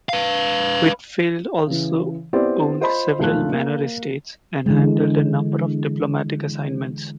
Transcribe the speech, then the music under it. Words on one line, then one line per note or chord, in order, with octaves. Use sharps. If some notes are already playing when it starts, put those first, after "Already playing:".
Huitfeldt also owned several manor estates and handled a number of diplomatic assignments.
B4 F5
C#3 E3
B3 C4 E4 G4 C5 D5
F4 C5 D#5 B5
B1 F2 A#2 A3 F4 F#6
A#3
D3 E3 G#3